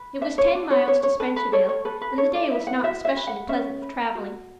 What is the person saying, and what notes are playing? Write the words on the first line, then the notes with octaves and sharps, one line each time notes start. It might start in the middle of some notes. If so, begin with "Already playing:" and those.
It was ten miles to Spencervale and the day was not especially pleasant for traveling.
Already playing: B4
D4 E5
C#5
D4
C#5
D4 C#5
C#5
A4 B4
B4
A4 C#5
C#5
A4 B4
B4
A4 C#5
D5
E4 E5
F#5
F#4 E5
E5
B4
F#5
C#4 E5
B4
F#4